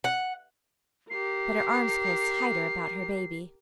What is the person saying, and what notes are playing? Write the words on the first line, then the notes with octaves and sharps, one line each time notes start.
But her arms closed tighter about her baby.
F#5
G4 A#4 C7